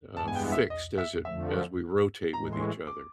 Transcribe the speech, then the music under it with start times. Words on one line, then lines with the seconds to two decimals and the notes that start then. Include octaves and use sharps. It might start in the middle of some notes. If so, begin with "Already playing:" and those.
uh, fixed as it as we rotate with each other.
0.16 G2 E3 G#3 B3 A5
0.28 G#5
0.35 G5
0.52 E5
0.70 D#5
0.98 E5
1.25 F2 D3 F3 A3 E5
2.33 A2 E3 G#3 A#5
2.53 C6
2.60 C#6
2.87 D6